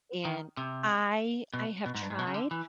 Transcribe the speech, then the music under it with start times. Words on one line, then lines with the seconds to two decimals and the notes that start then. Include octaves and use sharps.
And I I have tried,
0.25 D#3
0.57 C3
1.54 B2
1.86 B2
1.95 G#2
2.02 G2
2.10 G#2
2.19 B2
2.27 C#3
2.34 D3
2.51 E3